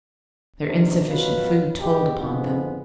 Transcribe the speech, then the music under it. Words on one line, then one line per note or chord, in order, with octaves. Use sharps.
Their insufficient food told upon them.
E2 C3 D#3 D4 A#4
F#2 B2 F#3 F4 B4
G#2 B2 E3 G#3 B3 G4
F2 G#2 D3 F3 G#3 B3